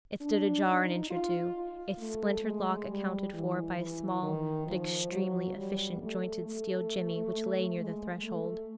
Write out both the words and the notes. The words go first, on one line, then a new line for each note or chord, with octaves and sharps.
It stood ajar an inch or two, its splintered lock accounted for by a small but extremely efficient jointed steel jimmy which lay near the threshold.
D4
D#4
F4
A3
G#3
G3
E3
E3
D#3
F3
F#3
G3
A3
A3
G#3
A3